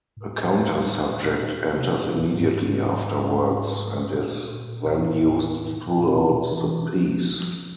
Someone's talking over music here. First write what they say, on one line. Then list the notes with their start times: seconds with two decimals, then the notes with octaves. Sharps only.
A countersubject enters immediately afterwards and is then used throughout the piece.
0.17 A2
0.97 A#2
1.76 C3
1.89 B2
1.96 A#2
2.16 A2
2.36 G#2
4.07 A2
4.15 A#2
4.94 A2
5.73 A#2
6.13 B2
6.21 A#2
6.28 B2
6.52 E3
6.93 F3
7.31 F3